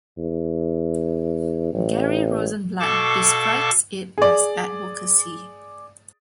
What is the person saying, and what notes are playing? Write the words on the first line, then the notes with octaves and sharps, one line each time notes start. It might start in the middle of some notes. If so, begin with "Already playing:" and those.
Gary Rosenblatt describes it as "advocacy".
E2
A1
B2 A4 F5 A5 C#6 D6
G#4 D5